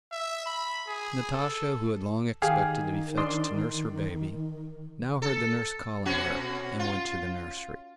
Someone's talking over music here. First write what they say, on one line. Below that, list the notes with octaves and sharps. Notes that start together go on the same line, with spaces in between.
Natasha, who had long expected to be fetched to nurse her baby, now heard the nurse calling her and went to the nursery.
E5
B5
G#4
A4
D#3 G4 G#4 F5
D4 C6 D#6
A4
B2 C#4 F#4
F4